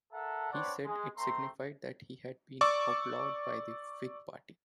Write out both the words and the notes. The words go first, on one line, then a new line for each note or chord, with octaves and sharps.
He said it signified that he had been "outlawed" by the Whig party.
A4 A#4 E5 F#5 A5
C4 D4 B4 C#5 D5 F#5
G#3
A3 C4 A#5 C6
D5 C#6 D6 E6